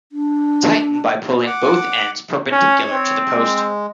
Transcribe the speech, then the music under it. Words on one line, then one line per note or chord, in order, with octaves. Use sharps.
Tighten by pulling both ends perpendicular to the post.
D4
F#5 D6
C#4 C#5
C4
G#3